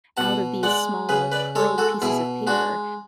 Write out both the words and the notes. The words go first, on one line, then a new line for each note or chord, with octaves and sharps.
out of these small, curled pieces of paper.
B2 F#5 A5
G#3 D5 F#5
C#3 G#4 B4
B4 D5
G#3 A4 C#5
F#4 A4
B2 E4 G#4
G#3 D4 F#4